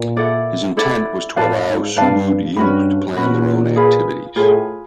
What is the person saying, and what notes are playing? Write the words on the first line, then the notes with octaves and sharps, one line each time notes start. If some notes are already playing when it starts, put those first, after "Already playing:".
His intent was to allow Subud youth to plan their own activities.
Already playing: A#2
E4 A4 D5 F#5
E4 A4 D5 F#5
A2 B4 D5 F5 A5
G#2
G2 B4 D5 F5 A5
G2 C#4 F#4 B4
A#2 C#4 F#4 B4
F4 G#4 B4
A2 F4 G#4 B4